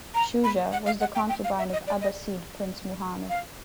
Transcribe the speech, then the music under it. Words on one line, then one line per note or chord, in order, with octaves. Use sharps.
Shuja was the concubine of Abbasid prince Muhammad.
A#5
B5
F#5
F5
F#5
G5
G5
F5
E5
D#5
D5
D#5
F5